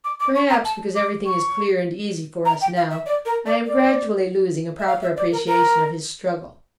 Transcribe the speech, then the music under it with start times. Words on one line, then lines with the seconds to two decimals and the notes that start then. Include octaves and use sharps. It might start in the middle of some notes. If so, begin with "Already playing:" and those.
Perhaps, because everything is clear and easy for us now, I am gradually losing a proper appreciation of his struggle.
0.04 D6
0.20 D6
0.35 C#6
0.50 A#5
0.65 A5
0.95 D6
1.26 C#6
2.45 A#5
2.61 G5
2.76 F5
2.90 E5
3.06 D5
3.26 A#4
3.46 D5
3.66 D5
4.79 E5
4.87 F5
5.02 E5
5.17 D5
5.32 A#4
5.47 A#4